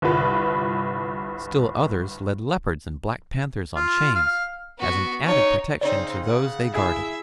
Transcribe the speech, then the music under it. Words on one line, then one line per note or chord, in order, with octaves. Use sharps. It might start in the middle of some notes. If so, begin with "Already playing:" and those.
Still others led leopards and black panthers on chains as an added protection to those they guarded.
G1 C2 F4 B4
F4
F5
B3 F#4
D#4 C#5
C#3 C4 D#4 C#5 D5
F#5
E4 G#4 E5